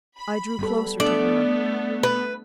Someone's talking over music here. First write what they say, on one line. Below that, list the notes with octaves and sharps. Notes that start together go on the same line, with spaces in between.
I drew closer to her.
B5
G3 B3 A4
A3 B3 D4 A4 D5
B4